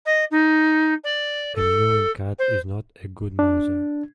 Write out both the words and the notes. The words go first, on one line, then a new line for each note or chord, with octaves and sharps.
A mewing cat is not a good mouser.
D#5
D#4
D5
A4
C5
D4